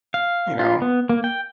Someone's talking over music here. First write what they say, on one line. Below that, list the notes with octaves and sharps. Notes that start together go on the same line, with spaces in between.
you know.
F5
F4
B3
A#3
G5